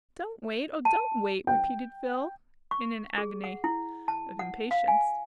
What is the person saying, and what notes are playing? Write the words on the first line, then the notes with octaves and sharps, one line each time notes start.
"Don't wait, oh, don't wait!" repeated Phil, in an agony of impatience.
A5
G5
C#6
G#4
F#5
E4
A5
F#5
F5
G#5